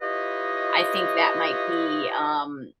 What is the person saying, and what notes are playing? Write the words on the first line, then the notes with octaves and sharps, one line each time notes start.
I think that might be, um,
E4 F4 G4 B4 C#5 D#5